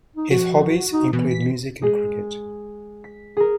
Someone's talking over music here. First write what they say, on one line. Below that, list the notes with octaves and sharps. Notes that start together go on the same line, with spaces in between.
His hobbies include music and cricket.
D#4
F3 F#4
D#4
B2 E3
B6
G#3 G#4
B6
G#4 A#4